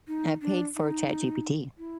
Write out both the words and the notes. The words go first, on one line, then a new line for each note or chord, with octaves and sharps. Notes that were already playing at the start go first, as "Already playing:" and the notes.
I paid for ChatGPT
D#4
D4
D#4
E4